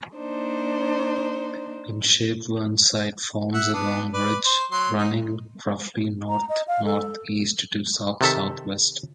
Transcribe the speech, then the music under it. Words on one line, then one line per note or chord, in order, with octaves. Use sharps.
In shape Whernside forms a long ridge, running roughly north-north-east to south-south-west.
A#3 D4 D#4 C5
E5 F#5
B3 D4
B4 D5
C5
F#3 C6
D#4
A#5
D#5
F5
A4
C3 D#3 A4 E5